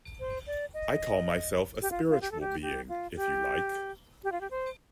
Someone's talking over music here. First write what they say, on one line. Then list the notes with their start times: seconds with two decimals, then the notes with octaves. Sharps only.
I call myself a spiritual being, if you like.
0.20 C5
0.47 D5
0.74 D#5
1.82 G4
1.91 F4
2.10 F4
2.21 G4
2.31 A4
2.41 G4
2.62 G4
2.89 F4
3.16 G4
4.24 G4
4.32 F4
4.41 G4
4.51 C5